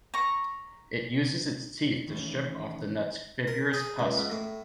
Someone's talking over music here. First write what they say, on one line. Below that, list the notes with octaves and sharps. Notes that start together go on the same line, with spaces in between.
It uses its teeth to strip off the nut's fibrous husk.
A#5 C#6
D#3 E3 A3 C#4
A#4
G#4
C#2
G#2
A2